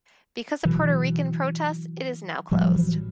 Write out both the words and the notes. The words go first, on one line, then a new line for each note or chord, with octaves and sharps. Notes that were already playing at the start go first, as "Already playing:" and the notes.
Because of Puerto Rican protests, it is now closed.
B2 E3 F#3
A2 F3 G3
E3 F#3